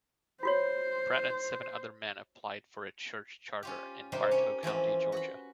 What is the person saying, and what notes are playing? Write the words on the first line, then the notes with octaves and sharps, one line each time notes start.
Pratt and seven other men applied for a church charter in Bartow County, Georgia.
F4 F#4 C5 C#5
C#4 F4 G4
C3 G3 A#3 D#4 G4 C5
C#4 C#5
E3 F3 C4 C#4
F#4 B5